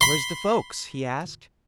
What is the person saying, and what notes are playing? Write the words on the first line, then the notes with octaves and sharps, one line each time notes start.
"Where's the folks?" he asked.
B5 C6